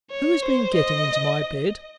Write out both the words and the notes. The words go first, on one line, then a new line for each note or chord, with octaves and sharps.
"Who has been getting into my bed?"
C#5
C5
D#5